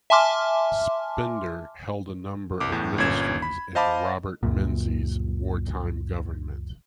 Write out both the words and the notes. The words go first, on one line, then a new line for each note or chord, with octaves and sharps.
Spender held a number of ministries in Robert Menzies' wartime government.
E5 G#5 A5 C6 D6 F6
C2 D6
E2 A2
G1 A#2 C#4 G#6 E7
B5
C5 D#5 F5 A5 B5 D6
C#2 F#2 A#2